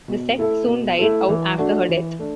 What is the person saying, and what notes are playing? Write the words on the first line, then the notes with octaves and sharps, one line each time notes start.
The sect soon died out after her death.
B2
A3 E4 A4
B2
A3 E4 A4
E3
A3 D4 F#4
E3
A3 D4